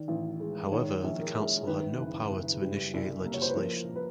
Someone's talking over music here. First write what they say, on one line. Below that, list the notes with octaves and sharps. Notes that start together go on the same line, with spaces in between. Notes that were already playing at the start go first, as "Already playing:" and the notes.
However, the council had no power to initiate legislation.
Already playing: D#3 D5
A1
G#3
D#3 C#5
A#1
A#4
G#3
D#3 B4
F#1
F#1
G3
C2
A#3
C#5
C5
B4
F3 A#4
B4